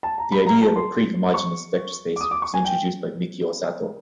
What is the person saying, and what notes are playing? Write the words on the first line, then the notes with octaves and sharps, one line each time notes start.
The idea of a prehomogeneous vector space was introduced by Mikio Sato.
A5
A#5
B5
A#5
A5
C6
C#6
D6
D#6
D6
C#6
G#5
G5